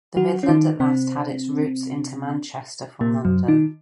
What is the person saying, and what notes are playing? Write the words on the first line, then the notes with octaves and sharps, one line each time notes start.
The Midland at last had its route into Manchester from London.
F#3 F#4
C#4
D#3 D#4
C3 C4
A#2 A#3
F#2 F#3
D#3 D#4